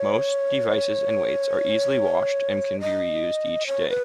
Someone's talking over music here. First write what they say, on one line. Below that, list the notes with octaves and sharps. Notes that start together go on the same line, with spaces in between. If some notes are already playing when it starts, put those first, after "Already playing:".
Most devices and weights are easily washed and can be reused each day.
Already playing: C#5
D#5
C#5
B4